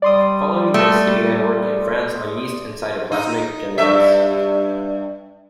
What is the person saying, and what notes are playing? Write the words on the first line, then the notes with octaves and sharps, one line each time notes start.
Following this he began work in France on yeast and cytoplasmic genetics.
G3 D5 C6 D#6
A3
D#4
G2 E5